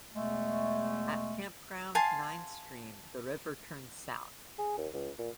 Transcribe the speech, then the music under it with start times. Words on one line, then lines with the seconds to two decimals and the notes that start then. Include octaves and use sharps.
At "Campground Nine Stream" the river turns south.
0.14 E2 B2 G#3 A3
1.95 F5 G#5 A5 C6
4.59 G#4
4.78 D#2
4.94 C#2
5.18 A#2